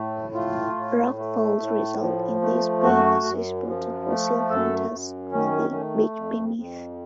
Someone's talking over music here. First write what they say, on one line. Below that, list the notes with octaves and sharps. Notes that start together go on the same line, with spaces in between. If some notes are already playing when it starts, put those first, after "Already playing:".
Rockfalls result in these being accessible to fossil hunters on the beach beneath.
Already playing: A2 A3
A3 F4
A2
A3
A2
F3
A3
F#2 F#4
F#2
F3
A3
F#2 A4
F#2
D#3 C#4
A3
F2
F2